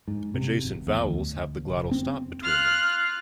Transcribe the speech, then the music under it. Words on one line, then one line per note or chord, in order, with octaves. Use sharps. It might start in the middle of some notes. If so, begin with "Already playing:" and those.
Adjacent vowels have the glottal stop between them.
G#2
C3
G#1
E2
D2
F1
C4
F4 F6 F#6